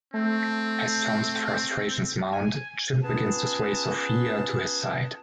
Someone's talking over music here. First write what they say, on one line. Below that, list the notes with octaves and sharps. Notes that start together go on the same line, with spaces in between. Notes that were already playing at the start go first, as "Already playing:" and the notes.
As Tom's frustrations mount, Chip begins to sway Sofia to his side.
A3 C4
G#5
B3 C#4 F4 G#4 B4 A5